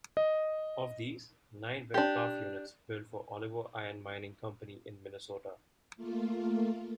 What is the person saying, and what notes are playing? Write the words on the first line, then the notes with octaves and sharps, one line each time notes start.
Of these, nine were "calf" units built for Oliver Iron Mining Company in Minnesota.
D#5
D4 G4
A3 A#3 F4